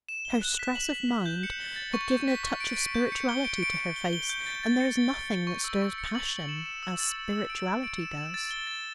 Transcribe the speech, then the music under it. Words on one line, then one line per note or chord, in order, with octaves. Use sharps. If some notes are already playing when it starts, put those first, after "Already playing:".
Her stress of mind had given a touch of spirituality to her face, and there is nothing that stirs passion as spirituality does.
E7
G7
F#6
B6
F#7
B6
B6
G6
C#7
G7
A6
C#6
G6
B6
C#6
D7
D7
G6
C#7
G7
D7
D7
D7
G7
G7
G6
A6
A6
C#7
A6
A6
A6
C#6
E6
C#6
C#7
F#7
F#7
E7
E7
E6
A6
E7
E6
D7
D7
D7
E7
E7
A6
G7
A6